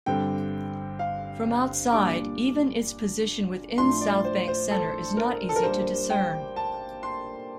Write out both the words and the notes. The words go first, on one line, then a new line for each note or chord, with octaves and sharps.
From outside, even its position within Southbank Centre is not easy to discern.
G2 D3 G3 C4 G5
F5
A#2 G3 D4 D6
A2 F3 A3 D4 C6
D5
C5
C5
A4
A#4
A4
A#4
A#2 G3 A#3 D4 C5
G5
A5
C6